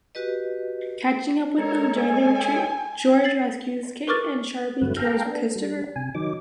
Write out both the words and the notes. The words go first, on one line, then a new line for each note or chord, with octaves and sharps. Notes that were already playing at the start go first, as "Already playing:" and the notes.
Catching up with them during the retreat, Jorge rescues Kate and Sharpe kills Christopher.
F#4 G4 B4 D#5
G#3 A4 A#4 C#5
G#5
A6 C7 F#7
A#4 B4 C#6 D6 F6 A6
G2 D3 F#3 A3 B4
A4 F5 G5 A#5
B3 D4
G3
C3 G#5
D#3 F#3 D#4 D6